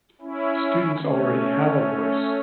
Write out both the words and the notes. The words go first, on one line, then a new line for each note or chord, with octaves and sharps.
Students already have a voice.
C#4 E4
A3 C#4